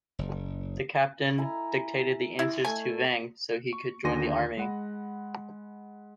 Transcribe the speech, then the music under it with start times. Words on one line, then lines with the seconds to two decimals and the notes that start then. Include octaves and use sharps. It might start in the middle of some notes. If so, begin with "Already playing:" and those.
The captain dictated the answers to Vang so he could join the army.
0.19 F#1
1.38 E4 G#5 A#5
2.39 E4
2.65 A3 G#5
3.73 C#6
4.04 D#2 D3 G#5 C6 A#6 D#7
4.57 G#3 F#5 B5